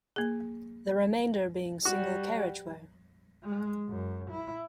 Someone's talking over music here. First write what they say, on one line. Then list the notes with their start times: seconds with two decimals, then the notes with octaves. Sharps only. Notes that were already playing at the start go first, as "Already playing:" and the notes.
The remainder being single carriageway.
0.16 A#3 G#4
1.85 G3 F#4
3.43 G#3
3.89 F#2
4.30 E4